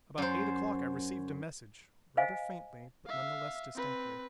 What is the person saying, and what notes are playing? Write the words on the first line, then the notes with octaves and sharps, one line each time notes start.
About eight o'clock I received a message, rather faintly, but none the less distinctly.
F#2 C5
C5 D#5 F5 G#5
E5 F5
C4 B4